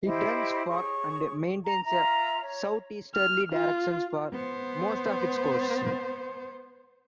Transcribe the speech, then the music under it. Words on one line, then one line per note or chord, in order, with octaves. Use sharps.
It runs for and maintains a south-easterly direction for most of its course.
E4 G4 C5 D#5
G#4 C#5 C#6
A#5
F4 E5 A#5
C#5
F6
F4
B3 C5